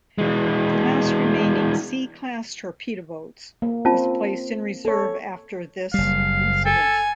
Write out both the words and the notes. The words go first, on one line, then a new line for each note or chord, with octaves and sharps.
The last remaining "C"-class torpedo boats was placed in reserve after this incident.
E3 G#3
A#3
C4 C#4 F4 A5
A4 C#5
F#1 G3 F5
A4 G#5